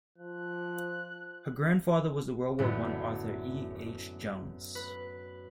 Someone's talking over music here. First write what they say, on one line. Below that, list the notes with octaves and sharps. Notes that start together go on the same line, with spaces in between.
Her grandfather was the World War One author E. H. Jones.
F3 F#6
F#2 A2 D3 A3 B3
B4